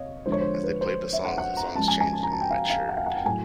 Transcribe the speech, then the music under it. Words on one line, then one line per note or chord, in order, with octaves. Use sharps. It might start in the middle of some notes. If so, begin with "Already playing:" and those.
As they played the songs, the songs changed and matured.
Already playing: C3 C#5 D#5 F5
D3 F3 G#3 C5
C#5
C5
B4
C5
E5
F#5
F#5
A#5
C#3 F3 G#3 A5
G#5
G#5
A5
A#5
A5
G5
F5
F5
F#5
F5
F#5
G5
A2 F#3 G#5